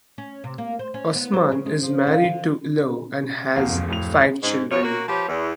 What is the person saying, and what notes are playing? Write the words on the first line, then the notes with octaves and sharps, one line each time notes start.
Osman is married to Ilo and has five children.
C#4
C3
A#3
C5
C#4
B3
C5
C#3
G#3
F3
F4
D3
D1 E2 F5
F2
D1 A2 F7
G#2
F#2 F3 C#5
A#3 C#4 F#4
F3 G4 B4 C#5
E2